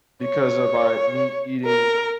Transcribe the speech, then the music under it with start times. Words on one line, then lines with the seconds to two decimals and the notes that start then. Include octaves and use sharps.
because of I me eating
0.23 C#5
1.66 A#4